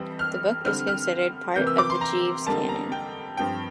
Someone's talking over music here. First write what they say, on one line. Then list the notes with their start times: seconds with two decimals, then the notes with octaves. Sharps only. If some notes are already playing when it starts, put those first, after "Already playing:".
The book is considered part of the Jeeves canon.
Already playing: F2 E3 G3 C4
0.19 F6
0.64 D3 G3 C4 F6
0.87 F6
1.56 C3 E3 A#3 G6
1.67 E6
1.78 D6
1.90 C6
2.01 A#5
2.47 F2 D3 G3 A#3 A5
2.69 A#5
2.92 G5
3.37 G2 F3 C4 G5